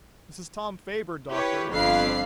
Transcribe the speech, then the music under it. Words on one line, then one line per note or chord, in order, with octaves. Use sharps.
"This is Tom Faber, Doctor," I said.
E4 G4 B4 C#5
G1 F2 D4 F5 B5 C7